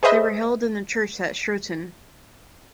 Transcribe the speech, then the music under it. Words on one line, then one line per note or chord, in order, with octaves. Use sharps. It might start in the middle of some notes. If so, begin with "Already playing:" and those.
They were held in the church at Shroton.
G#4 B4 C5 D#5 E5